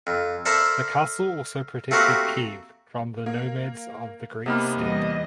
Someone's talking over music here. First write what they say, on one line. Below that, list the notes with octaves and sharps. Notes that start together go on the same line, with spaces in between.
The castle also protected Kyiv from the nomads of the Great Steppe.
F2
A4 A#4 C5 D5 E5
A3 A#3 C4 F#4 G4 A#4
A#3
C3 A#3 B3 D#4 B5 F6
E2 G3 D#5